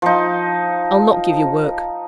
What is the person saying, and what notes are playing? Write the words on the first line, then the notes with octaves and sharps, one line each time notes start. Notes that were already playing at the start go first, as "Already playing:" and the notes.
I'll not give you work.
F3 D#4